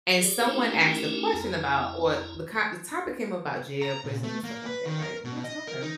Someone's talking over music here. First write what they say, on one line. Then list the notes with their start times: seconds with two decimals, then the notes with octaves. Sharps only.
and someone asked the question about what the co the topic came about jail, prisons, and stuff like that, right? And I said, "Okay,"
0.16 G4 G#4 D5
0.46 A3 C#4 D#4 E4 G4 A#4
1.34 F2 E4 A#5
3.82 A#5
4.05 A#2
4.23 A3
4.43 A#3
4.66 B4
4.86 D#3
5.02 A#4
5.24 B2
5.44 D#5
5.67 A#4
5.82 D#4